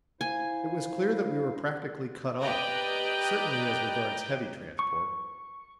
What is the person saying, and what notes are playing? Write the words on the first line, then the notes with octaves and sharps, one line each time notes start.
It was clear that we were practically cut off, certainly as regards heavy transport.
E4 C5 F5 G#5
G4 B4 D5 D#5 G5 A#5
C#6